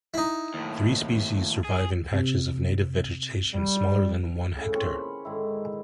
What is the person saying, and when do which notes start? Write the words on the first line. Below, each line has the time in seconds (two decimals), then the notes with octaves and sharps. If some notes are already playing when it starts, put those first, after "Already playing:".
Three species survive in patches of native vegetation smaller than one hectare.
0.14 D#4 E4
0.54 D#2 A2
1.65 G#4
2.14 C3
3.54 G3
4.56 A2 C#3
4.72 A#2 C4 C#4 C#5
4.95 B5
5.25 G#2 D3 D#3 E4